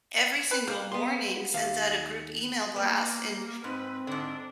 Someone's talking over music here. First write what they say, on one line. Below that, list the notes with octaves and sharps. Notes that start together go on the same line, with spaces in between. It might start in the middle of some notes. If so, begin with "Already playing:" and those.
every single morning sends out a group email blast, and
B4
A#3 C5
B3 C6
D#2 F5
A#3 B3
G#2 C4 B4
G#2 D3 D4